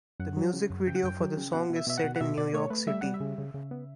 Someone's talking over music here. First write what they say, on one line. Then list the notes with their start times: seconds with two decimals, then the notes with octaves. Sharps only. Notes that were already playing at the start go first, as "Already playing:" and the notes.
The music video for the song is set in New York City.
0.20 F#2 F#5
0.37 F#3
0.53 C#3
0.70 F#2
0.87 C#3 G5
0.96 F#5
1.03 F#2 G5
1.21 F#3
1.37 C#3
1.53 B2 F#5
1.70 B2
1.76 E5
1.87 B2 E5
1.98 F#5
2.04 B2
2.16 F#5
2.21 B2 E5
2.38 B2 D5
2.54 A3 C#5
2.70 A3 B4
2.87 G3 E5
3.01 G3 F#5
3.14 E5
3.20 C#3
3.38 C#3
3.54 C#3
3.71 B3